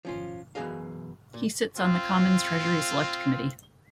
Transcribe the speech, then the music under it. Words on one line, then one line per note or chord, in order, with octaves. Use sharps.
He sits on the Commons Treasury Select Committee.
F3 C#4 F4
F#2 B2 E3 G#4 D#5 F5
A#2
C4 F4